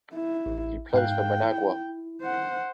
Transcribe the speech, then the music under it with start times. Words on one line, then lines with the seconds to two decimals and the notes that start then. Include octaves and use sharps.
He plays for Managua.
0.14 E4
0.46 A1
0.94 G#2 F5 G5 F#6
1.43 E4
2.21 C5 F#5